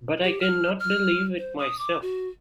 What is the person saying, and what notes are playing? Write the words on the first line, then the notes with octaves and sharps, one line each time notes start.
But I cannot believe it myself.
G4
F6
F6
C5
D#6
D6
F#4